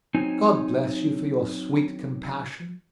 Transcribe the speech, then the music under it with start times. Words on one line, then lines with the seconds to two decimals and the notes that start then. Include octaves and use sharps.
"God bless you for your sweet compassion!"
0.14 F#3 C4 D#4 G#5